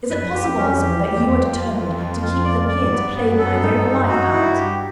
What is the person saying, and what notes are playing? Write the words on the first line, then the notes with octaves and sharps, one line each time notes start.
Is it possible, husband, that you are determined to keep them here to plague my very life out?
F#2 B4
F2
F#2 G4
F2
C#4
E2 G4
G4
F2
G4
F4
F4
F4
F4
D5
D5
G#2
G2 B3
B3
F#2
A4
G2 D#4
G#2
G2
D#4
F#2
F#4
G2 E4
G4